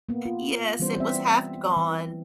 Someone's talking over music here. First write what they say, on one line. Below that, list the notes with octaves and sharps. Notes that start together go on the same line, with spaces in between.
Yes. It was half gone.
A#3 B3
F4
E3 G3 B3 C#4 C5
B3 C4 E5
E3